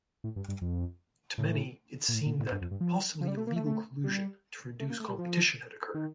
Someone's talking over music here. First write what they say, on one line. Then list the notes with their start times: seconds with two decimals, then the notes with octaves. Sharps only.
To many, it seemed that possibly illegal collusion to reduce competition had occurred.
0.24 A2
0.36 G2
0.49 G2
0.62 F2
1.38 A2
2.09 A#2
2.14 A2
2.26 A#2
2.40 A2
2.52 G2
2.62 F2
2.71 G2
2.81 F3
3.21 F3
3.28 G3
3.37 A3
3.47 A#3
3.56 A3
3.66 A3
4.04 G3
4.80 A3
4.90 A#3
5.00 A3
5.08 G3
5.19 F3
5.94 D#3